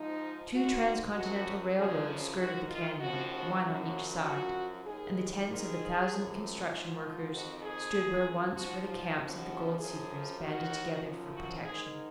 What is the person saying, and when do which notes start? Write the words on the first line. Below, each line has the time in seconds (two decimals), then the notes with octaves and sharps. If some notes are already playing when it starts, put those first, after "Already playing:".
Two transcontinental railroads skirted the canyon, one on each side, and the tents of a thousand construction workers stood where once were the camps of the gold-seekers banded together for protection.
Already playing: G#2 F3 D#4
0.54 G#2 D#3 F#4
1.15 F#2 F3 F#4
1.76 F#2 C#3 F3 G#4
2.38 G#2 D#3 F#4
2.69 F4
3.00 D#2 C#3 F3 F#4
3.31 F#4
3.62 F#2 C#3 F3 F#4
4.23 F#2 F3 F#4
4.85 D#2 D#3 G#4
5.47 G#2 D#3 G#4
6.09 F#2 F3
6.70 G#2 F3 F4
7.01 F4
7.32 F2 D#3 F#4
7.63 G#4
7.93 F#2 F3
8.55 G#2 F3 F#4
8.86 F4
9.17 D#2 C#3 F3 F#4
9.79 F#2 F3 G#4
10.40 D#2 D#3 F#4
11.02 F#2 C#3 F3
11.33 F#4
11.64 G#2 D#3 G#4